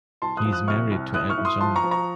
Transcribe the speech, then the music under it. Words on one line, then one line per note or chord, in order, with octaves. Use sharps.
He is married to Elton John.
C2 A5 C6
D#6 F#6
F3
D#6 F#6
C3 C#6 F6
C2
A2 D#6 F#6
C#6 F6
A2
C6 D#6
F3 A5 C6
A#5 C#6
F3
A#5 C#6